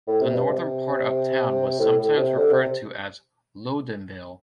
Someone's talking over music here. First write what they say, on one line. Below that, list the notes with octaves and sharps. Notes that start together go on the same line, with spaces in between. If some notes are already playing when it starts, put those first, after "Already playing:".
The northern part of town was sometimes referred to as Lowdenville.
A2
C3
G2
C3
A2
A2
C3
D3
C3